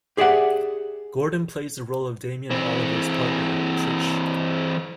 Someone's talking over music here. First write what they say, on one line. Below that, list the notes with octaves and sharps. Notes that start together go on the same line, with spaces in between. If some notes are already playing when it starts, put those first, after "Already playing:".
Gordon plays the role of Damien Oliver's partner, Trish.
G4 G#4 D5 E5 F#5
E3 C4